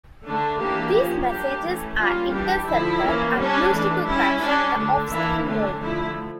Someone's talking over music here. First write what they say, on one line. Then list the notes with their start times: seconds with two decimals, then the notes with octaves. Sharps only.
These messages are intercepted and used to construct the off-screen model.
0.24 D3 A3 D4
0.59 E3 A#3 D4 G4
0.94 F3 A#3 C#4
1.29 G3 A#3 D4 G4
1.63 E3 A3 C#4
1.98 G3 A#3 C#4 F4
2.32 E3 G3 D4 G4
2.67 D3 F3 A3 E4
3.02 E3 A#3 C#4
3.37 G3 C#4 D4
3.72 E3 A3 D4
4.06 G3 C#4 E4
4.41 G3 C#4 D4
4.75 D3 A3 D4
5.10 E3 A#3 D4 E4
5.45 D3 A3 C#4 D4
5.80 D3 F3 A3 E4